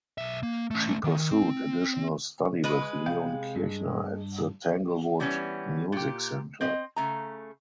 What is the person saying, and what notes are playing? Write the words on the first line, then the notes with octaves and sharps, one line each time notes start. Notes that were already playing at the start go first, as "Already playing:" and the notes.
She pursued additional study with Leon Kirchner at the Tanglewood Music Center.
B1 E5
A#3
A3 C#4
D#3
C4
G#3 B4
C3 F5 G5
G2
E3 G3 B3 C#4
A#2 G4
C4 D#5
C#3 A3 A#5